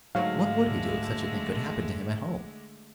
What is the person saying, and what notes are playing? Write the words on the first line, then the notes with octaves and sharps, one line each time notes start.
What would he do if such a thing could happen to him at home?
G#2 D3 F#3 G#3 A3 F5